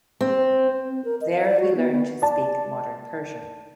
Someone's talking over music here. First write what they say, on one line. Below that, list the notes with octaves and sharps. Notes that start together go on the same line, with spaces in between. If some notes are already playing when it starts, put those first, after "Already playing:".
There he learned to speak Modern Persian.
C4
C4
A#4
D#5
F5
D5
F#4
B3
B3
D5 A5